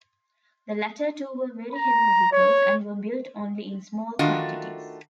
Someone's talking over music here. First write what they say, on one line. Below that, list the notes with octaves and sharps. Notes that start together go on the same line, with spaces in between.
The latter two were very heavy vehicles, and were built only in small quantities.
A#5
C#5
D#3 A3 D4 F4 F#4 D#5